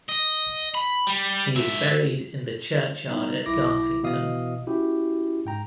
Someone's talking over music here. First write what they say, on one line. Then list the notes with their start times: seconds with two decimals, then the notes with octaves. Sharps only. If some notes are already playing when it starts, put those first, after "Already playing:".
He is buried in the churchyard at Garsington.
0.09 D#5
0.75 B5
1.07 G3
1.55 G#2 E5
3.07 G3 B3 D#4
3.46 B1 E4 D6 A#6
4.03 B2 E3 D#5 F5 D#6
4.67 C#4 E4 F#4 G4
5.45 G#2 G5 A#5